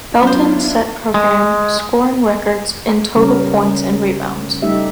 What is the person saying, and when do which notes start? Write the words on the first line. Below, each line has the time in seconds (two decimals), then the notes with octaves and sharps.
Belton set program scoring records in total points and rebounds.
0.23 F#3 B3 C#4 D4 E4 F4 C5
1.14 G#3
3.16 C#3 G3 C#4 A#4
4.62 G3 A3 D#4 G4 E5